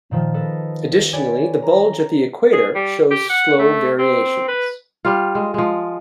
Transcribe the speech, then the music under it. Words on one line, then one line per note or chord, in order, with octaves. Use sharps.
Additionally, the bulge at the equator shows slow variations.
A#2 D#3 F3
A4 B4 D#5
G4 B4 C#5 D5 G#5
A#5
G#4
G3
G4
F#5
A3
C4
B4
G3 F4
G#3
F3 G#3